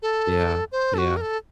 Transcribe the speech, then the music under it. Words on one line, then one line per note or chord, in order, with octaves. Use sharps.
Yeah. Yeah.
A4
C5
A4
F#4
A#4
A4